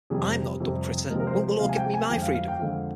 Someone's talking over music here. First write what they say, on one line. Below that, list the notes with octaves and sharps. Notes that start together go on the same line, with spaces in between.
I'm not a dumb critter; won't the law give me my freedom?
F2 C3 G3 G#4
F2 C3 G3
C3 F3 G#3 A#4
A#4
C5
C5
C3 F3 G#3 F5
G#5
G5
G#5
F2 D3 G#3 G5
F5
F5
G5
F2 D3 G#3 F5